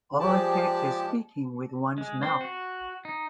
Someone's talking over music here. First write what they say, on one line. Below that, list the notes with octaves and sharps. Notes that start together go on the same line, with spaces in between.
All it takes is speaking with one's mouth.
F3 G#3 G4 D5 A5
G#3
C4
F#4
D#4